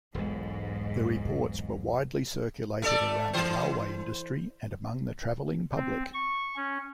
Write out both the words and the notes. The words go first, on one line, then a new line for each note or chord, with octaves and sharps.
The reports were widely circulated around the railway industry, and among the travelling public.
E1 B1 G#2
A3 A4 D5
E3 C5
C4
C#6
C#4